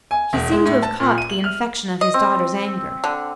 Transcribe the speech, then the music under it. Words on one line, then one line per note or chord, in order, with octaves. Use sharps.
He seemed to have caught the infection of his daughter's anger.
G#5
E1
G#3
A2
A5
A#2
D#7
F#7
F6
D#5
C4
D3